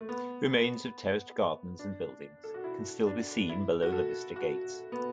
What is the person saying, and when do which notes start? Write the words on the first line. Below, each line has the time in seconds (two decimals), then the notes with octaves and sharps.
Remains of terraced gardens and buildings can still be seen below the Vista gates.
0.01 A3
0.09 B3
1.79 D4
2.44 A4
2.54 F#4
2.64 E4
3.07 D4
3.49 E4
3.82 F#4
3.92 A4
4.36 F#4
4.92 B3